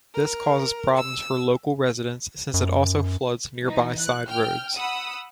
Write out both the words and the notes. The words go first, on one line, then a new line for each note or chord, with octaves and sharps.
This causes problems for local residents since it also floods nearby side roads.
A#4
E6
F#2
E3 D#4
F#6
G5 F6
F#5 B5 D#6 E6